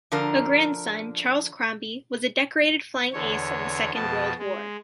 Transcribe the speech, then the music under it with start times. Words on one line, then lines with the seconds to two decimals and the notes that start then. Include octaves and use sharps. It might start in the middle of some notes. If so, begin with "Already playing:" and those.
A grandson, Charles Crombie, was a decorated flying ace of the Second World War.
0.12 D3 F3 D4 A#4
3.13 E2 D3 C#5
3.94 F2 B2 A5
4.39 G#3